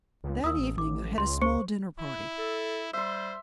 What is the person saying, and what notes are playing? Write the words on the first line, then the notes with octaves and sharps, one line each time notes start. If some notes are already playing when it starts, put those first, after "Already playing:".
That evening I had a small dinner-party.
C#2
D#2 D#6 E6
A1
A1 D6
C#2 C6
C5 C#6 C#7
E4
A4
G3 C5 E5 C6